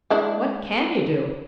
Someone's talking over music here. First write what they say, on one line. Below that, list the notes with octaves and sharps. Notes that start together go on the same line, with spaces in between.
"What can you do?"
G#3 D4 E4